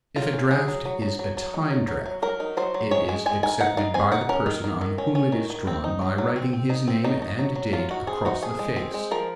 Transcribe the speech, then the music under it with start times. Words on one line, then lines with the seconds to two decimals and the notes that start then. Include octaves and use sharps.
If a draft is a time draft it is accepted by the person on whom it is drawn by writing his name and date across the face.
0.16 F#3 F4
0.33 C#4
0.51 F#3 G#4
0.68 F#3
0.85 F#3
1.02 F#3
1.19 F#3
1.37 F#3
1.54 D#4
1.71 F#3
1.88 F#3
2.05 F#3
2.22 F#3 A#4
2.40 D#4
2.57 F#3 C5
2.74 F#3
2.91 G#3 C#5
3.09 G#3 G#5
3.26 G#3 G#5
3.43 D#4 G#5
3.61 D#4 F#5
3.77 D#4 F5
3.94 C4 G#5
4.12 D#4 F#5
4.29 C#4 A#4
4.46 D#3
4.64 D#3
4.81 D#3
4.98 C#4
5.15 C#4
5.32 D#3
5.50 D#3
5.67 C4
5.84 D#4
6.01 F#3
6.18 F#3
6.36 C4
6.53 C4
6.70 D#4
6.88 C4
7.04 F#3 D#4
7.22 D#4
7.39 F#3
7.56 F#3
7.73 F#3 F4
7.90 D#4 F#4
8.07 C4 G#4
8.25 D#4 F#4
8.42 F3 G#4
8.59 G#3
8.76 C4
8.94 G#3
9.11 F3 A#4